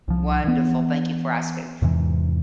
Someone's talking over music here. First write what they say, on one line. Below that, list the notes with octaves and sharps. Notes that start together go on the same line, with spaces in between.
Wonderful, thank you for asking.
C2 F3
E3 B3
E2 G#2 C3 E3